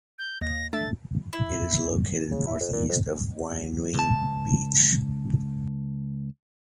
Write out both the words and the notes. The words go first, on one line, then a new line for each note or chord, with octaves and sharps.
It is located north east of Wainui Beach.
G6
D#2 A#6
A3 D4 A4 A6
E4
C#3
E4
F2
A#2
F2
C#2 A5